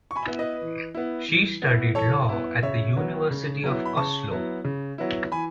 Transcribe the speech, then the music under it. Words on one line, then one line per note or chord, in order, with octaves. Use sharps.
She studied Law at the University of Oslo.
C#6
G#5 B5
B3 E4
B4 D#5
E3
B3 E4
E3
B3 E4
E3 A4 C#5
B3 E4
C#3 C#5 E5
F#3 B3 E4
C#3
F#3 B3 E4
B5
C#3 A5 C#6
F#3 B3 E4
C#3
F#3 B3 E4
E3 G#5 B5